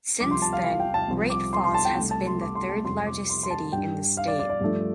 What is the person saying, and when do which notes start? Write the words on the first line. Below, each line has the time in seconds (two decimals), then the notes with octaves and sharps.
Since then Great Falls has been the third largest city in the state.
0.20 C2 C3 F3 D6
0.31 C6
0.42 A5
0.53 F5
0.64 F5
0.80 G5
0.94 A5
1.08 C2 C3 F3 C4
1.30 D6
1.53 C6
1.64 C6
1.74 A5
1.85 G5
1.97 C2 C3 A3
2.11 A5
2.27 C6
2.41 D6
2.55 C6
2.69 A5
2.85 F2 C3 G3 C4 C6
3.06 D6
3.29 C6
3.43 C6
3.50 A5
3.72 G2 G3 D4 G5
4.17 F5
4.28 D5
4.39 D5
4.50 D5
4.61 G2 F3 A3 D4